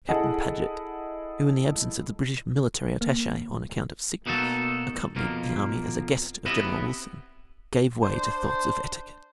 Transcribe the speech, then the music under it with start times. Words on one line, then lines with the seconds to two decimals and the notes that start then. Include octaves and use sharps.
Captain Paget, who in the absence of the British military attache on account of sickness, accompanied the army as a guest of General Wilson, gave way to thoughts of etiquette.
0.09 E4 G#4 A4 D#5 F#5
3.01 A#3
4.26 B2 A#3 D#4 F#4 G#4 A4
5.16 F2 B2 F3 A#3
6.46 B3 C4 E4 G4 D#5
8.02 D4 C5